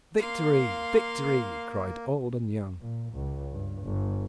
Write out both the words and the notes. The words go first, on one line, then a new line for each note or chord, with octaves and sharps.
"Victory! victory!" cried old and young.
A#3 F5 C6
A#2
C#2
G2
G1